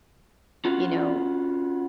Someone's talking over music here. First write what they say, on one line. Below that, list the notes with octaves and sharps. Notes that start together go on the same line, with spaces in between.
you know,
C#4 F4 F#4